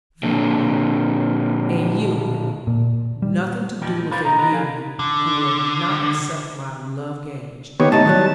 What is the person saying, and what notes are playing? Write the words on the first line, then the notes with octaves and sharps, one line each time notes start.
'Very well, a yeoman--nothing to do with a yeoman who will not accept my love-gage.
A#2 D3
A#2
G3
E2 A#2 D#3 F3 G3 G5
A#2 D#3 A3
A4 B4 C5 D5 F5 B5
B2 A#3 D#4 A#5
B3 F4 G4 D#5 A#5 B5
F3 D4 D5 F5 G#5
D3
D#3 B3 G4 C#5
A2 D#4 A5
D#3 F#3 G3